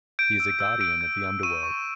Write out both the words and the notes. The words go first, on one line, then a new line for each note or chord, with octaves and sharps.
He is a guardian of the underworld.
G6 D7
E6
E6
E6 D7
G6
G6
C#6 D#7
C#6